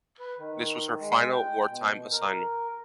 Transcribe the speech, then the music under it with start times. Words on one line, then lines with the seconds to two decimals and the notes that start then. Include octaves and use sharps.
This was her final wartime assignment.
0.20 B4
0.38 D#3
1.00 G#3
1.30 G5
1.68 B2
2.12 A#4